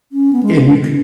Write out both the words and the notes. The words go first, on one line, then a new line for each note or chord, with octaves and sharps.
And you could
C#4
B3
G#3